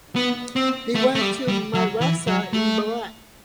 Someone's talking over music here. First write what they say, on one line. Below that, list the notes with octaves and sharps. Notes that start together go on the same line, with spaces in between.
He went to madrasa in Berat.
B3
C4
A3
A3
G3
G3
F#3
E3
F#3
A3